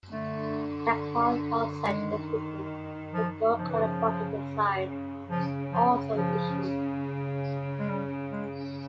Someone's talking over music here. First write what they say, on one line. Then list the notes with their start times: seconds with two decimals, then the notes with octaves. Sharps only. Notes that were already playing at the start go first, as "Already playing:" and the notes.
A cloth lozenge depicting the gold colored button design was also issued.
0.12 D3 A3
1.85 D#3 G#3
3.14 F3
3.58 C#3 F3
3.70 E3
3.83 F3
5.30 C#3 F3
5.73 F3
6.16 F3
7.80 G#3
7.89 G3
8.32 G#3